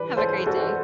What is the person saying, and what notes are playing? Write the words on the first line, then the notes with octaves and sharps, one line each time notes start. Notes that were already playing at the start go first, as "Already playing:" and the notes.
Have a great day.
Already playing: G2 E3 B4 D5
A4 C5
F#4 A4